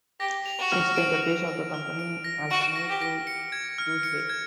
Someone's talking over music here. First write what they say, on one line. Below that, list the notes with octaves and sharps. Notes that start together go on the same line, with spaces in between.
Since then the base of the company has moved to Goose Bay.
G4 A#6
F7
F#4
F6
D7
F7
D7
F6
D7
A#6
F#4 D7
A#6
G4
A#6
C#7
G#6
F6
C#7
G#6